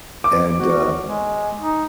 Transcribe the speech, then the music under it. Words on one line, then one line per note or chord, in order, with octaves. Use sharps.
and, uh
D6
F#4
G#3
D#4